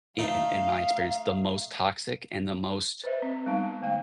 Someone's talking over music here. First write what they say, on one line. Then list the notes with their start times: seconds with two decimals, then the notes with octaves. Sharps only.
in in in my experience, the most toxic and the most,
0.19 A3 D#4 F5
3.04 B4 C5 D#5 E5
3.22 C4
3.46 G3 G#3 B3 D#4
3.81 D3 A3 F5